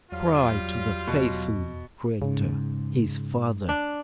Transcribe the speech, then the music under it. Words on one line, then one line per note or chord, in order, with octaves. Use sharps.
Cry to the faithful creator, his Father.
E2 F#3 G3 F4
E2 B2
G#2 C#3
D4